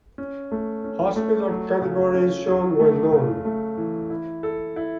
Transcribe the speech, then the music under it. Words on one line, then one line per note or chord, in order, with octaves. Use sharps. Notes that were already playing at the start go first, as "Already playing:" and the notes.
Hospital category is shown when known.
C#4
A3
C#4
A3
F#3
C#3
C#4
F#3
A3
C#3
A3
E3
E4
A4
E4